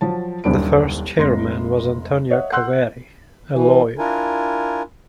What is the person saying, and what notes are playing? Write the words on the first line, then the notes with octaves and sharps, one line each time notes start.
The first chairman was Antonio Caveri, a lawyer.
F3 F#3 A5
D#1 C2 F#2 D4 B5 D7
F1 G#2 C6 A#6
C#5 D#5 E5 F#5
F#5 C6 E6 F#6 G6
E3
D4 E4 F4 A#4 G#5